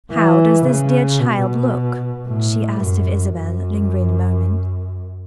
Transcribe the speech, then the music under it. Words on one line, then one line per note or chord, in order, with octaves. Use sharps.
"How does this dear child look?" she asked of Isabel, lingering a moment.
E3
C#3
B2
A2
F#2
F#2